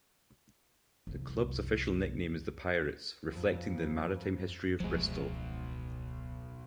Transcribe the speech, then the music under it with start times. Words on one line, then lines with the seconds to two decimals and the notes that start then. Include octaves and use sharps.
The club's official nickname is "The Pirates", reflecting the maritime history of Bristol.
1.07 C2 F2
3.30 F2
4.80 E1 C#2 B2 F3 F#3 G#3